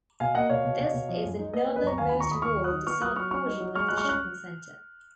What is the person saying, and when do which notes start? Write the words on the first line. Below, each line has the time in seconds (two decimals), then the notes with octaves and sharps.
This is the northernmost wall of the South portion of the shopping centre.
0.20 B2 F5 G#5
0.35 A#3 D#5 F#5
0.50 B2 C#5 F5
0.65 B2
0.79 B2
0.94 B2
1.09 F3
1.24 F#2
1.38 D#4
1.53 A#3 B4 D#5
1.64 B4
1.68 A#3
1.76 B4 D#5
1.83 F#2 A#5 C#6
1.98 D#2 F5 G#5
2.09 G#5 B5
2.12 D#2
2.20 A#5 C#6
2.27 D#2 B5 D#6
2.42 D#2 C#6 F6
2.57 F#3
2.64 D#6 F#6
2.71 D#3
2.87 B3 C#6 F6
3.01 F#3 D#6 F#6
3.16 F#3 C#6 F6
3.31 F#3 C#6 F6
3.45 D#4
3.60 F#3
3.75 G#3 C#6 F6
3.88 G#3 F#6
3.97 C#6 F6
4.04 C#4 F#6